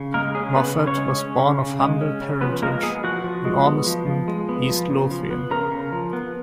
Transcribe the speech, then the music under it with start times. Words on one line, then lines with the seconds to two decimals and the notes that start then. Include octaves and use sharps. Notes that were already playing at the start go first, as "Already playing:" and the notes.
Moffat was born of humble parentage in Ormiston, East Lothian.
Already playing: C#3
0.14 G#3 A#3 A#4
0.35 C#4 G#4
0.56 C#3 B3 B4
0.77 C#3
0.86 C#4 C#5
0.97 G#3
1.18 C#4
1.39 C#3
1.59 C#3
1.79 G#3
2.01 C#4
2.21 C#3
2.41 F3 B3 B4
2.62 G#3 A#3 A#4
2.82 B3 G#4
3.04 F3 F#4 F#5
3.24 F3
3.45 G#3
3.66 B3
3.86 F3
4.06 F3
4.28 G#3
4.49 B3
4.69 F3
4.90 C#3
5.11 F3
5.31 B3
5.51 C#3 A#4 A#5
5.71 C#3
5.92 F3
6.13 B3